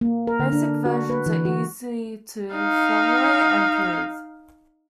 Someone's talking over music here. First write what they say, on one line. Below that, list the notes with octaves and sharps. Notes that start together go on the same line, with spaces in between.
Basic versions are easy to formulate and prove.
A#3
A#4
D3
D4
F#4
B4
E3
F#4
D#4 F5